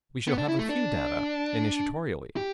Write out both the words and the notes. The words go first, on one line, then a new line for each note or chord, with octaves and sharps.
We shall have a few data initiatorily.
B3
D4
E4
A3
D4
G4